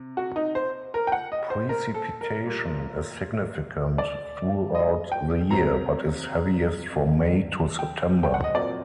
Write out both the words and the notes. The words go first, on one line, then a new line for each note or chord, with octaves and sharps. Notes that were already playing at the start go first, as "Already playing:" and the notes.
Precipitation is significant throughout the year, but is heaviest from May to September.
Already playing: C3
F#4
D#4
C5
A#4
G5
F#5
D#5
C5
A#4
A4
A#4
A#2 G3 A#3
D5
D#5
G5
C3 F#3 C4 A#5
G5
G5
F#5
D#5
A#2 F#3 C4 D5